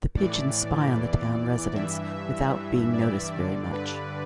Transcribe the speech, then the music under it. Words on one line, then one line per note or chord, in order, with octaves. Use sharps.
The pigeons spy on the town residents without being noticed very much.
A2 E3 D5
E2 E3
G2 E3 E5
E5
G2 E3
D5
G2 D3
B4